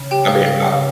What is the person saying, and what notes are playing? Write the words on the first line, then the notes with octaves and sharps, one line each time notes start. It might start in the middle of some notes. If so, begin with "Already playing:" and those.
I mean, I
Already playing: C#3
G4 G5
C#4
F5
C#4 F5
C#3